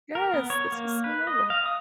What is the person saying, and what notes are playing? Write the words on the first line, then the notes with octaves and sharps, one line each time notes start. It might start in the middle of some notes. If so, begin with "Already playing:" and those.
Yes, this was so lovely.
A#4
B3
C#5
A#3
B4
D#5
F5
D#6